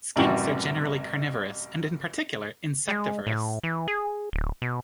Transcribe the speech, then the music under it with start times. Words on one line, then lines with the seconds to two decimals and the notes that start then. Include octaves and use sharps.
Skinks are generally carnivorous and in particular insectivorous.
0.16 A1 F#2 C3 E3 G3 F#4
2.88 G#3
3.27 A2
3.63 E3
3.88 G#4
4.33 D1
4.62 B2